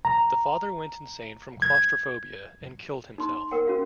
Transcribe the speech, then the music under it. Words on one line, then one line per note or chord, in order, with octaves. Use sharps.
The father went insane from claustrophobia and killed himself.
A#5
G#6
D#4 C6
A#4 F#5 G5
C#4 F#4 F5